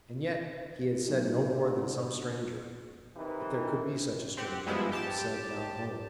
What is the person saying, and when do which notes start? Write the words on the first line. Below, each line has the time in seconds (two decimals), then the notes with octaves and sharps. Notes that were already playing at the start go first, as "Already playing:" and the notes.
And yet, he had said no more than some stranger, if there could be such a stranger, would have said down home.
1.08 B1
1.52 D3
3.15 C3 E3 C4 D#4 A#4 B4
4.37 C4 G4 F#5
4.66 F3 G3 G#3 B3 E4
4.92 G4 A5